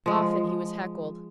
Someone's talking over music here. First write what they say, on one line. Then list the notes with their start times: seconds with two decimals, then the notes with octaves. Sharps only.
Often he was heckled.
0.06 F3 G#3